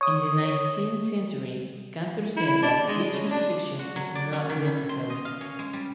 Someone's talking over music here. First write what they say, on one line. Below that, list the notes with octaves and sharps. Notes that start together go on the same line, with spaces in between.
In the nineteenth century Cantor said that this restriction is not necessary.
C#5 D#6
E4
D4
G#3
C#3
D4
F#4
F#3
D5
C#4
D#3
E4
C6
D#5
F5
C#4
G#3
G3